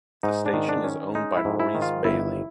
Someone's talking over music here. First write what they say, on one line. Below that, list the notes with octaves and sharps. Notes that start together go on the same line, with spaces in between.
The station is owned by Maurice Bailey.
G#2 D#4
D4
D#3
D4
C#4
G#3 D#4
E4
G#2
E4
D#3
F4
G1 E4